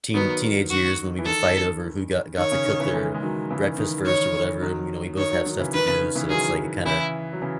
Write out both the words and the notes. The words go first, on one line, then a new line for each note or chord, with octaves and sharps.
teen teenage years when we would fight over who got got to cook their breakfast first or whatever, and, you know, we both have stuff to do, so it's like it kinda
D#3 F#3 B3
F#4
E3
D#3 A4
D#3 C#5
C#3
D#3
C#3 E3
E3 G#3
G#3
D#3 F#3
C#3 E3
D#3
D#3
D#3 C#5
D#3 F#3
D#3 C#5
D#3 F#3
D#3 F#3
C#3 E3
D#3 B4
C#3
D#3
C#3 E3
D#3 F#3 G#4
C#3 E3 E4
F#3
C#3 E3